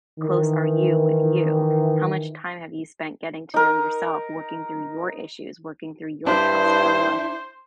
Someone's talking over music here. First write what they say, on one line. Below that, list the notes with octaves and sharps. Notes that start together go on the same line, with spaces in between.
close are you with you? How much time have you spent getting to know yourself working through your issues, working through your past trauma,
D#3 E3
D#4 A#4
G2 D4 E4 C5